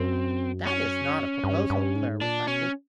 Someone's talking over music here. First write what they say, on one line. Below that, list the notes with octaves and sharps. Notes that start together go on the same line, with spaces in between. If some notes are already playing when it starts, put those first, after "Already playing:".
"That is not a proposal," Clara reflected.
Already playing: F#2 C4
C#4
G2
G2
G#2
A#2 D4
B2 C#4